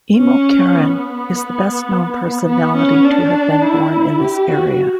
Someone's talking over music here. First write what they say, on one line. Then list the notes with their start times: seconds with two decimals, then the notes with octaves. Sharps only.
Emil Cioran is the best-known personality to have been born in this area.
0.17 C#4
0.75 B3
2.47 B3
2.76 C#4
3.04 D4
3.62 E4
4.19 G4
4.48 F#4